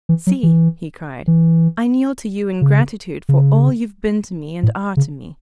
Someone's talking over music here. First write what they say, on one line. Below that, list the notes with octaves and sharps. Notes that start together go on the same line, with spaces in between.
"See," he cried, "I kneel to you in gratitude for all you've been to me and are to me."
E3
F#3
E3
E3
C#3
C#3
A2
C#3